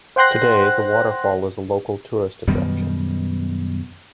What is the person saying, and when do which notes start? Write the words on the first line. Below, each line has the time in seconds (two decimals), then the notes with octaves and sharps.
Today the waterfall is a local tourist attraction.
0.16 C5 F#5 G5 C6 F#6 A#6
2.48 F#2 B2 D#3 G3